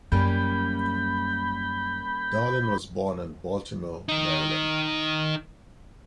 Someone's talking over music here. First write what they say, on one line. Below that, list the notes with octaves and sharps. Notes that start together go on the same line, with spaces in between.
Darling was born in Baltimore, Maryland.
F#2 G3 A#3 C#4 B5 G6
D#3 D#4